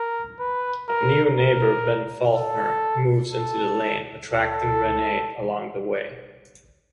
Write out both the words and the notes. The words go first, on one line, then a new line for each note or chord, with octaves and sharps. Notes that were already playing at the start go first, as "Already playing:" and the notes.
A new neighbor, Ben Faulkner, moves into the lane, attracting Renee along the way.
Already playing: A#4
B4
A#4
A#4
A4
A4
A4